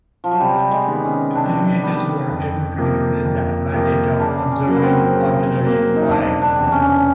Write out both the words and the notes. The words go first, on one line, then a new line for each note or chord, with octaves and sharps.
Aviators were able to recognise the advantage of observing artillery fire.
F3
F#3
C3 G3
G#3
D#3 G3 B3
C#4
C3 D4
D#3 G3 B3
F2
C3 F3 A#3
F2
C3 F3 A#3
C#3 D4
C#4
F#3 A#3
B3
C4
C#3
F#3 A#3
D#4
E1 D4
D4
E2 C3
C#4